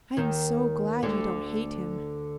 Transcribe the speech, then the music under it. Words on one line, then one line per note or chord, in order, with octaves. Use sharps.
"I am so glad you don't hate him."
D#2 D#3
D2 D3